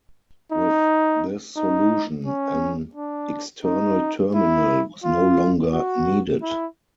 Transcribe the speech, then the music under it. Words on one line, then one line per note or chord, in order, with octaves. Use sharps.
With this solution an external terminal was no longer needed.
D#4
D#4
C#4
D4
D#4
E4
F4
F#4
E4